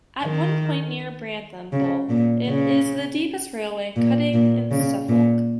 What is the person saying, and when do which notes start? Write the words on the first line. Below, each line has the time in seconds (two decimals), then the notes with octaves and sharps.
At one point near Brantham Bull it is the deepest railway cutting in Suffolk.
0.23 D#3
1.73 C#3
2.09 A#2
2.47 C#3
3.96 A#2
4.34 A#2
4.71 C#3
5.09 A#2